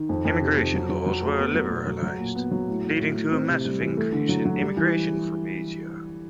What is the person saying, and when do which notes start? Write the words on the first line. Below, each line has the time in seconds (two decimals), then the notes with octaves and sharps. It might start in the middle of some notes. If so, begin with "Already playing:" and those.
Immigration laws were liberalised, leading to a massive increase in immigration from Asia.
Already playing: D#3
0.09 F2
0.25 F2
0.41 C3
0.58 F2
0.74 F#3
0.89 F#3
1.06 F#3
1.22 A3
1.38 B3
1.54 F#3
1.70 B2
1.87 F#3
2.02 F#3
2.19 A#2
2.35 B3
2.51 F#3
2.68 A2
2.84 A2
3.00 A2
3.16 A2
3.32 C4
3.49 C3
3.65 G3
3.81 E3
3.97 A3
4.13 D3
4.29 F#3
4.45 F#3
4.61 G3
4.77 E3